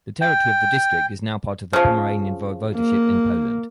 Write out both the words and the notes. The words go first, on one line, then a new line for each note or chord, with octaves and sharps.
The territory of the district is now part of the Pomeranian Voivodeship in Poland.
G5
C#3 F3
A#3